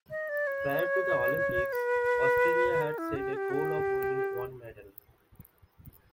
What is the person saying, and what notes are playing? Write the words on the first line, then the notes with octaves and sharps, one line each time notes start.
Prior to the Olympics, Australia had set a goal of winning one medal.
D#5
D5
C#5
B4
A#4
E4
G4
A4
G4
F#4
G4